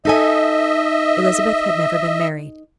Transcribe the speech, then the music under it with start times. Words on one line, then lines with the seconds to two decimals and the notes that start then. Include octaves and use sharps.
Elizabeth had never been married.
0.05 D#4 A4 D#5 E5 G#5